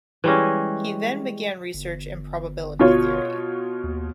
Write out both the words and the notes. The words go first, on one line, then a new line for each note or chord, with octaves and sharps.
He then began research in probability theory.
E3 G3 G#3 C#4
G1
B2 F4 C#5
D#2